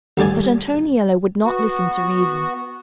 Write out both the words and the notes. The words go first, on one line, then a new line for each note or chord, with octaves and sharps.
But Antoniello would not listen to reason.
D2 G2 G4 D5 G#5
B3 F#4